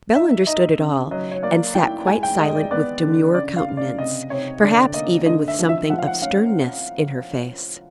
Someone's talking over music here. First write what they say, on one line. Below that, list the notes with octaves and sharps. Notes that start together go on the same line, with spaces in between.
Bell understood it all, and sat quite silent, with demure countenance;--perhaps even with something of sternness in her face.
D#4 E5
D#4 D#5
C#3
F#3 D#5
C#5
A#3 D5
E4 G5
G#3 G#5
G5
G#3 D#5
D5
B3 D5
D3
C#3 D5
F5
C#3
D5
C3 D#5
C3 C#5
D3 D5
A#3 D#5
D3 D#5
E5
F3
E5
F3 F#5
F5
F#5
C#4 F5